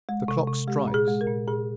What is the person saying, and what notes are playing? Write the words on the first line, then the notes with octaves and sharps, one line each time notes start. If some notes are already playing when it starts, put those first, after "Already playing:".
The clock strikes!
G#3
C3
C3
G#3 G4
A#2
G#4
G#3
A#4
A#2
A#2 G#4